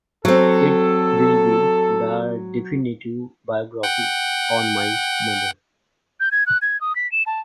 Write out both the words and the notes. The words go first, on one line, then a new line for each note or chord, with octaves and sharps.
It will be the definitive biography on my mother.
F#3 C4 A4
F#5 G5
G6
G#6
F#6
G#6
D#6
B6
E7
A5